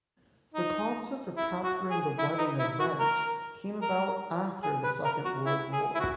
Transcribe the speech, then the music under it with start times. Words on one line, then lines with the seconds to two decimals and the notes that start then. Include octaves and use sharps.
The concept of capturing the wedding "event" came about after the Second World War.
0.54 D#4
1.37 E4
1.64 F#4
1.91 G#4
2.19 E4
2.38 D#4
2.59 E4
2.79 F#4
3.00 A#4
3.82 A#4
4.63 G#4
4.84 B4
5.05 A#4
5.25 F#4
5.46 E4
5.73 G#4
5.95 E4
6.00 F#4